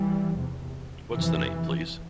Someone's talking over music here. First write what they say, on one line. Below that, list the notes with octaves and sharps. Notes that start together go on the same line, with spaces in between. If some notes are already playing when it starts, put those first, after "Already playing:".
What's the name, please?
Already playing: E3 G3
E2 C3
F2 C3 E3